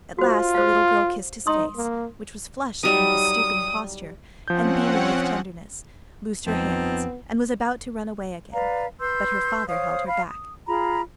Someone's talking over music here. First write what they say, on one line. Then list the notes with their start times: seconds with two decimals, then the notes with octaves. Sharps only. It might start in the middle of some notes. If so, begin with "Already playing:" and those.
At last the little girl kissed his face, which was flushed from his stooping posture and beaming with tenderness, loosed her hands, and was about to run away again; but her father held her back.
0.19 F4 F#4 C5
0.54 C5 F5
1.47 D#4 C6 D#6
1.76 A#3
2.83 F#3 G3 D#4 D#6
4.48 F3 C4 C#4 F#5 G6
6.47 F2 F3 B3 C4 D#4
8.53 B4 D5 F5 A#5
9.00 B4 C6 E6 G6
9.68 C5 C#5 F5 D#6
10.08 F5 B5
10.28 D#6
10.68 F4 G#4 A#5 B5